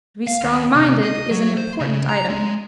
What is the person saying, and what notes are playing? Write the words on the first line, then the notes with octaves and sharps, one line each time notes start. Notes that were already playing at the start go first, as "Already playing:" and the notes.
To be strong-minded is an important item.
F5
D#2
C3
D#5
F#3
C5
C#3
A#5
G#3